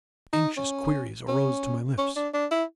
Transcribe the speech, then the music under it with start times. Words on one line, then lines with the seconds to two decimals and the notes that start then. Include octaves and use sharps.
Anxious queries arose to my lips.
0.33 D#4
0.57 C#4
1.28 C#4
1.98 C#4
2.16 D4
2.34 D4
2.51 E4